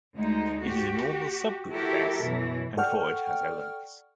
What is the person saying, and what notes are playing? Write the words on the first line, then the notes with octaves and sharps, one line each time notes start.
It is a normal subgroup of S, and for it has elements.
D2 G#3 D#4
F#4 G4
E4 F#4 G4 A4 A#4 E5
F#2 B2 E3
A4 D5 F#5 G5 C#6 F6